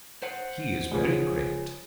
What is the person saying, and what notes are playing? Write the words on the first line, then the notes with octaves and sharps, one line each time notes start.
He is very great.
C5 F#5
C#3 F3 G#3